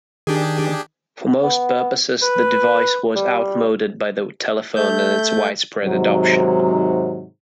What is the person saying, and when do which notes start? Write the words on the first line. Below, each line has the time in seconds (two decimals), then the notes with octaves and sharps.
For most purposes, the device was outmoded by the telephone and its widespread adoption.
0.27 D#3 D4 G4 G#4
1.44 B3
2.22 B4
3.15 G3
4.76 A3 G6
5.83 G#2 C3 D#3 F#3